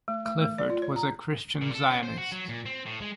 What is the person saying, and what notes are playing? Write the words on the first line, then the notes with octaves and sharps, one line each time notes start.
Clifford was a Christian Zionist.
A3
A3
A3
D5
F4
C#5
A#5
A#2
A4
C#4
C5
F#4
F#3
A#2
C4
A2
G#3